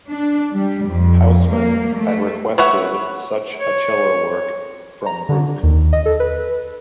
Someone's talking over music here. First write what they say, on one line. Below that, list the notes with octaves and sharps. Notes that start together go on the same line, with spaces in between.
Hausmann had requested such a cello work from Bruch.
D4
G3
F2
A#3
A3
B4 C#5 E5 F#5
C#5
A#5
D3
D#2
D#5
A4
B4